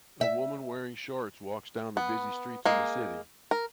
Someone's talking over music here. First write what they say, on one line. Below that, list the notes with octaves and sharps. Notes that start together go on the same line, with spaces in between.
A woman wearing shorts walks down the busy streets of a city.
E5
B3
G#3 A#3
A#4